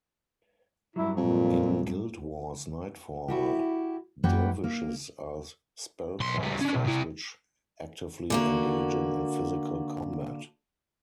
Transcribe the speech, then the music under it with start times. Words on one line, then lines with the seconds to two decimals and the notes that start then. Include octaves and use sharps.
In "Guild Wars Nightfall", dervishes are spellcasters, which actively engaging in physical combat.
0.96 G2 F#3 E4
1.17 F2 A#2
3.28 E4 F#4 G4
4.24 F#2 A#3 B4 F#5 G5
4.64 A#3
6.20 B1 C6
6.39 C#3 G3
6.61 C#4 D4
6.75 B1
6.86 C3 E4
8.30 D3 A#3 F#4